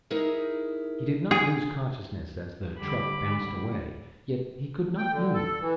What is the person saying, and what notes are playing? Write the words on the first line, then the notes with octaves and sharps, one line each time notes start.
He did not lose consciousness as the truck bounced away, yet he could not move.
D#4 E4 G#4 A#4 E5
G#4
D3 G3 B5 D6
D3 G3
G5
D3
A4
E3